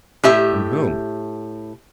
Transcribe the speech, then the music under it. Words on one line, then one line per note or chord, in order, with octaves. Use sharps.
From whom?
A2 G4 E5